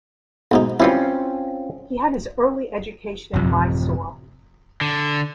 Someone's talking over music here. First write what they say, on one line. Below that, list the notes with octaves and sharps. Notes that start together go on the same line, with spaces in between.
He had his early education in Mysore.
B1 G#2 D#4
E3 G3 C4 C#4 E4 F4
A1 F#2 C3 F3
D3